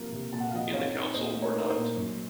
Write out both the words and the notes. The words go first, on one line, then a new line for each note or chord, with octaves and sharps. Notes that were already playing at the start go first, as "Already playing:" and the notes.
In the Council or not.
Already playing: C3 F3 A#3
C3
A#2 A5
F#5
F5
F3 D#5 F#5
C4 C#5 F5
D#4
A#2 C5 D#5
A3
A#4 C#5
D#4 A#4
C5
A#2
F#2